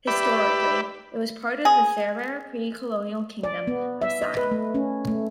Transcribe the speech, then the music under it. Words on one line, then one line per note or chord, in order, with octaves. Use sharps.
Historically, it was part of the Serer pre-colonial Kingdom of Sine.
G4 B4 D5 E5 B5
G#4
D5
B3
E5
D#5
B4
A3
C#4
A3